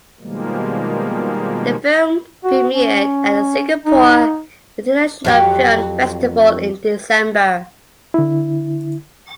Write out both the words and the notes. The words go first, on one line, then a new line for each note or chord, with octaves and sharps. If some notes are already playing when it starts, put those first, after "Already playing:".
The film premiered at the Singapore International Film Festival in December.
B2 D#3 F3 G3 G#3 A#3
F#4
C#4
D#4
F2 F#3 G4
D3 E4